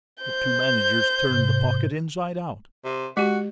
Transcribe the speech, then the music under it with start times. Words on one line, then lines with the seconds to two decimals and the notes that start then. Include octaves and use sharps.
The two managers turned the pocket inside out.
0.22 C5 G6
1.29 G#2 C3
2.85 C3
3.17 G#3 F#4 G4